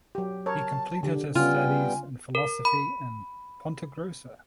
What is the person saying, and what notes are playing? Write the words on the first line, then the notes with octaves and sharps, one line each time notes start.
He completed his studies in philosophy in Ponta Grossa.
F#3 G4
A#4 C#5 A5
D3 G4
C#3 G3 B3 F4 G5 G#5
A#4
B5